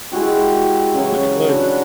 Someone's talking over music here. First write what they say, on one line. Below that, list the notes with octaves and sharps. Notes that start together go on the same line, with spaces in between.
We could.
G#3 E4 F#4 G4
C#3 E3 F#3
D4 F#4 B5